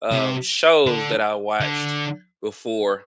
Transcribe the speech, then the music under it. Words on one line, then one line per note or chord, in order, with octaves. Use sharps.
um, shows that I watched before.
C3
D3
D3